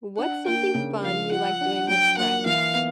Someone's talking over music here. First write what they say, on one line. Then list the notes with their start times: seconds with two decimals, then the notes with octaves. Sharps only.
What's something fun you like doing with friends?
0.18 D4 F#5
0.46 A#3 G5
0.75 C#3
1.03 F3 F5
1.31 F4 F#5
1.61 D4
1.88 F#3 G5
2.17 A#3 F#5
2.46 E3 F5
2.74 B3